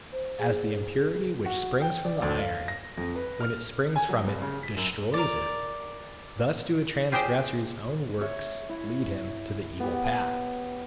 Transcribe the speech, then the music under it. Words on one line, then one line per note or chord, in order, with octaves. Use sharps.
As the impurity which springs from the iron, when it springs from it, destroys it; thus do a transgressor's own works lead him to the evil path.
C5
G#4
G#4
F#4
G5
D5
D2
F5
A#6
F2
B4
F6
G#5
F#3
C2
C#3
B6
F#2
A#4 D5
F4 G4 G#4 C5 D#5 G5
C#5 E5
E4
B3 G4